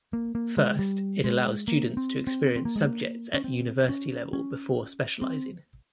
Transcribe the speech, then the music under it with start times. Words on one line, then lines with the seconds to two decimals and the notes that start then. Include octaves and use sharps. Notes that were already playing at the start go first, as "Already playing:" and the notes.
First, it allows students to experience subjects at university level before specialising.
0.13 A#3
0.35 A#3
0.57 G#3
0.79 G3
1.24 G#3
1.68 A#3
1.97 C4
2.27 C4
2.56 C4
2.65 A#3
2.76 G#3
2.85 A#3
3.34 C#4
3.44 C4
3.89 C#4
4.33 C#4
5.22 C4